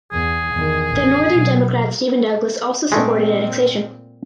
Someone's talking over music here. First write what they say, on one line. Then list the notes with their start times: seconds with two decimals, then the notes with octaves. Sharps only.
The northern Democrat Stephen Douglas also supported annexation.
0.12 E2 G#4
0.53 E2 D#3
0.89 A1
1.30 B2 F#3
2.92 A#2 G#3 A3 C4